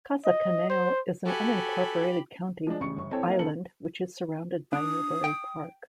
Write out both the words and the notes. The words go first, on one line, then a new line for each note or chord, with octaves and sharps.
Casa Conejo is an unincorporated county island which is surrounded by Newbury Park.
D#5
C5
F#4 G4 A4 G#5 B5
F3 G#3 D4
A1 C#3 C#6 C#7
G1 C#6
C4 E4 A4 C#5 G5
A#3 D#4 F5
C#3 A4 C#7 F#7
D4 D#6
G5